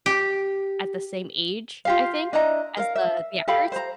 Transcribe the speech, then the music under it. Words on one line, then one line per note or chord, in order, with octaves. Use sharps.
at the same age, I think, as the the actors,
G4
F4 G4 F5
D4 E4 D#5 A#5
A#4 F5
E5
G4 A4 F5 B5
C5 A#5